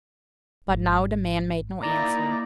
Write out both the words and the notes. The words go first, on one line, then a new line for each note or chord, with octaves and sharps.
But now the man made no answer.
G#1
A#3 D#4 E4 D5 A#5